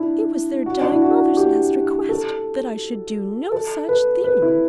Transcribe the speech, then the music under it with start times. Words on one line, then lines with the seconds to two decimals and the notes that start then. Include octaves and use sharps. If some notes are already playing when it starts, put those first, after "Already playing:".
"It was their dying mother's last request that I should do no such thing."
Already playing: D4 E4
0.66 F#4
0.81 D4
0.92 E4
1.02 F#4
1.37 G4
2.09 A4
3.52 A4
3.89 B4
4.24 B4
4.42 E4